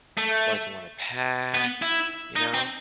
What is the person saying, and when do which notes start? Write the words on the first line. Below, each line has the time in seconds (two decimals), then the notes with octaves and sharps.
What if they wanna pack, you know?
0.18 A3
1.54 B3
1.82 E4
2.36 D#4
2.54 C4